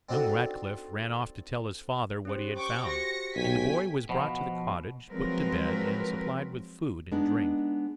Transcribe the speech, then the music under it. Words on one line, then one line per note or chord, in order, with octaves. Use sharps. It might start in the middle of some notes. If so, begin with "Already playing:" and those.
Young Ratcliff ran off to tell his father what he had found; and the boy was brought to the cottage, put to bed, and supplied with food and drink.
C4 D4 D#4 F#4 A4
C#4 G4 C5
G5 C#6 D6
F#4 G4 C5 A#6 C#7
B1 G4 G5 G#5 B6
B2 F3 F#5
F3 F#3 G#3 C4 A#4 B4
G#3 B3 D4 D#4